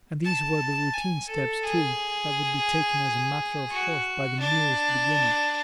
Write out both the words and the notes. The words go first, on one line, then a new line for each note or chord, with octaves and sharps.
And these were the routine steps, too, that would be taken as a matter of course by the merest beginner.
A5
G#5
A4
G#4
F#4
D4